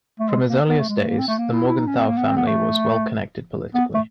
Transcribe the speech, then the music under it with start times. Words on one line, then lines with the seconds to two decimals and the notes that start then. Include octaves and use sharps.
From his earliest days, the Morgenthau family was well-connected politically.
0.20 A3
0.29 G#3
0.49 A#3
0.69 B3
0.79 A3
0.89 G#3
0.99 A3
1.08 A#3
1.19 C4
1.28 A3
1.39 A#3
1.53 E4
1.68 E4
1.78 D#4
1.87 C#4
1.97 C4
2.08 A#3
2.17 B3
2.27 C4
2.37 B3
2.47 A3
3.75 B3
3.95 A3